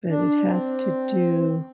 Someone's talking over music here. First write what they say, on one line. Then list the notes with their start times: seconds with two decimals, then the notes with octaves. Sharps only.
But it has to do
0.10 D4
0.47 C4